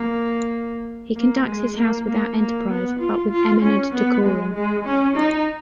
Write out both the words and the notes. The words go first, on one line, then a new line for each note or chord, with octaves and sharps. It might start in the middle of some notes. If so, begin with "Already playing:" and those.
He conducts his house without enterprise, but with eminent decorum.
Already playing: A#3
A#3
G#3
A#3
A#3
A#3
B3
F4
F4
C#4
B3
G#3
G#3
C#4
D#4